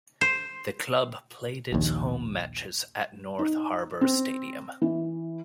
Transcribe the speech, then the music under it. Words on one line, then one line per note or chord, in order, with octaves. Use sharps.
The club played its home matches at North Harbour Stadium.
C5
A#1 D#2
D#4
C4
E3